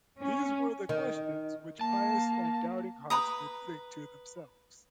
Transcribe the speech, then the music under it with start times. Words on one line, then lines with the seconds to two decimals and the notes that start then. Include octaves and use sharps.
These were the questions which pious and doubting hearts were putting to themselves.
0.21 C#4
0.89 D#3
1.81 A#3 A5
3.10 B4 A#5 D#6